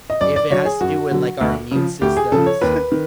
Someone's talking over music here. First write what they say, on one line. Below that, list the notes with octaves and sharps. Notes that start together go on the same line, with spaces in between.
if it has to do with, like, our immune systems,
D#5
F#2 D5
D5
D3 F#3 C#5
G#4
F#2 F#4
D3 F#3
D2
C#3 F3
D2 G4
G#4
C#3 F3 A4
C#5
D#2 B4
D#3